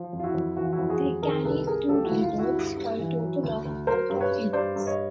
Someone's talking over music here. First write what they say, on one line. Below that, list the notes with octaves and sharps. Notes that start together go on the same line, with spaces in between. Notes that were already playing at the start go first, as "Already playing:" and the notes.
They carried two reloads, for a total of four torpedoes.
Already playing: F3
F2
F4
E4 F#4
F2
E3 F#4
F4
E4 F#4
F2
F#4 G#4
F2
D#3 G#4 A#4
C2 A4 B4
C2 G#4 A#4
F3 G4 A4
E4 F#4
D2
F4
D2
E4 F#4
G2
G2
E3
F#3
D2
D2
F#3 A#4 C5
G2
B4 C#5
G2
G2 C5 D5
G2
C#5 D#5